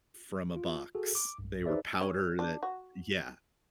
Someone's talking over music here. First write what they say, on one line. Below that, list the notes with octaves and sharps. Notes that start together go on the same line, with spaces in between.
from a box. They were powder that yeah.
F4
F#4 G#4 A4
D6
B1 G2
D#4 G#4 B4 C5 D5 E5
C#4
D4
F#4